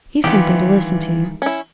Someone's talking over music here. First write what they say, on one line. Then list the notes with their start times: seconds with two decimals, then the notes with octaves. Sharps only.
He's something to listen to.
0.24 D#3 E3 G3 B3 E4 F4 G4
1.42 C#4 E4